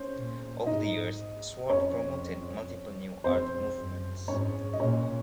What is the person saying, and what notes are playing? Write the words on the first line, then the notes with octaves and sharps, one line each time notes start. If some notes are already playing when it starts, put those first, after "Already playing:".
Over the years Swart promoted multiple new art movements.
Already playing: C#4 C5
A#2
G#2 D#4 D#5
F2 C#4 C#5
F2 C4 C5
F#2
G#2 C#4 C#5
D#5
A#2 C#4 C#5